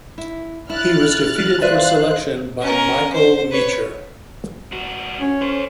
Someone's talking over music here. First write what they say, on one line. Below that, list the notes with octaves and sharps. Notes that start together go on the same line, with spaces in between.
He was defeated for selection by Michael Meacher.
E4
E4 F6 F#6 A6
B4 C5 D5 E5 F5 F#6
C#4 A#4
C5
B4 C#5
G#2 F#4
C#4
A4 C5